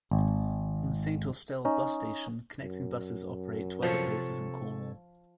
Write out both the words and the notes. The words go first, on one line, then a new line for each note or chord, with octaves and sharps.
From Saint Austell Bus Station connecting buses operate to other places in Cornwall.
G#1
C#4 D#4 D#5
F#2
C3 F3 A4 C#5